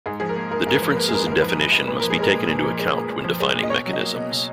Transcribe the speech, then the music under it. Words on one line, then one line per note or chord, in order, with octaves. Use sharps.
These differences in definition must be taken into account when defining mechanisms.
G#2 G#4
F3 G#4
A#4
A#3
G#2 A#4
G#2 A#4
B4
F3
A#4
A#3 B4
G#4
G#2 A#4
G#4
G#2 A#4
F3 B4
A#3
G#2
A#2 B4
F3 A#4
G#4
G#3 A#4
A#2
A#2
F3
G#3
A#2
A#2
F3
G#3
A#2
D#5
B2 C#5
F#3
D#5
A#3
B2
B2